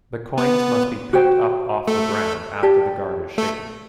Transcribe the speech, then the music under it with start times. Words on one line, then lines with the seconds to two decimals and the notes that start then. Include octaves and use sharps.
The coins must be picked up off the ground after the guard is shaken.
0.38 B3 B4
1.13 F#4 C5 G5
1.87 A3 A4
2.63 G4 D5 A5
3.38 A3 A4